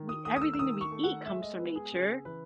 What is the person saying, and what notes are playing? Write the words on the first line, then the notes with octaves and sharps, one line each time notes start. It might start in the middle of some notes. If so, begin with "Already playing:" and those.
we everything that we eat comes from nature.
Already playing: D#3
D#6
A3 D#6
D#6
E6
E6
D#3 D#6
C#6
A3
F#5
G#3 E5
D#5
B3 B4
G#4
C#3 G#4
E3 B4